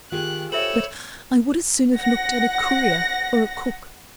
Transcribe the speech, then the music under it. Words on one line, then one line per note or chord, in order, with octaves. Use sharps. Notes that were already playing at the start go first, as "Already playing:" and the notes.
But I would as soon have looked at a courier or a cook.
D#3 F4 G4 G#4 F#6
A4 C5 C#5 E5 B5 E6 F#7
F#5 A#6